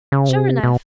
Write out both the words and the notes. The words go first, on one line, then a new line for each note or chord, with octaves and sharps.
Sure enough.
C#3
C3
B2